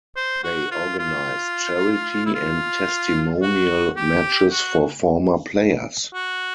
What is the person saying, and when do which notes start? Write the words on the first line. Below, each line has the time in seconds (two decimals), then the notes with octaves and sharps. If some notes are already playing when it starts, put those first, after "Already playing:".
They organise charity and testimonial matches for former players.
0.16 C5
0.44 F#4
0.71 F4
0.99 F4
2.26 E4
2.35 F4
3.42 F#4
3.96 G4
4.52 F#4
6.14 F#4